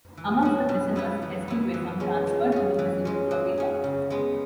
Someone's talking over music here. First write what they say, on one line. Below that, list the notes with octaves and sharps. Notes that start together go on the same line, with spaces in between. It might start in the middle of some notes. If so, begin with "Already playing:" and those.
Amongst the prisoners rescued were some transferred from the prison flotilla.
E3
C#4 F#4
B2
B3 E4 B4
E3
B3 E4
E3
G#3 C#4
G#3
C#4 G#4
E3
G#3 C#4
F#3
C#4 G#4
C#3
G#3 B3